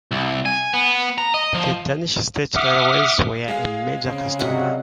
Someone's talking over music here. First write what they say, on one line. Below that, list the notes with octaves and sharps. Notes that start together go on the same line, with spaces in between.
The Danish State Railways were a major customer.
C2
G#5
B3
A#5
D#5
F3
E5 F#5 D6 D#6 F6
G#3 G#4 F5
C#3 C4
C3 F#3 G3 F#4 D#5 F#5